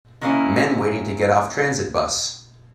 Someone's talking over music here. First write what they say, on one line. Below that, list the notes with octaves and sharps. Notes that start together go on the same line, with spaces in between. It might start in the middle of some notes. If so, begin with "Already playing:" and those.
Men waiting to get off transit buss.
D#3 F#3 A#3 B3 C#4 E4